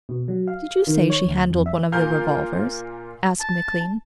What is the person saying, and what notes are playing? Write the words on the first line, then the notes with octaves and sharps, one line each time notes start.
"Did you say she handled one of the revolvers?" asked McLean.
B2
F#3
F5
D#3
C#5
D2
F2
E5
A#2 F4 A#4 F5 G#5 G6
A5